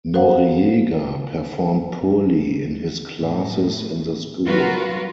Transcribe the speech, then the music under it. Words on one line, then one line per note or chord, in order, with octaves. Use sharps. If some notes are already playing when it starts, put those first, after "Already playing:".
Noriega performed poorly in his classes in the school.
F#4 A#4 C5 F5 F#5
A2
F#3 G3 F4 F#4 A#4 B4